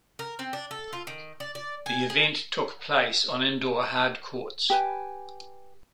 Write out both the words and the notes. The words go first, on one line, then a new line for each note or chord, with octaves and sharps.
The event took place on indoor hard courts.
A#4
C4
D4
A4
F4
D#3
D5
D5
G#5
G#4
G4 B4 G#5